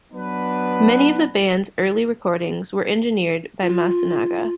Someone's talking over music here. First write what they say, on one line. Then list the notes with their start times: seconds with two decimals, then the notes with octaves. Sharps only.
Many of the band's early recordings were engineered by Masunaga.
0.12 F#3 B3 D4 B4
3.62 F4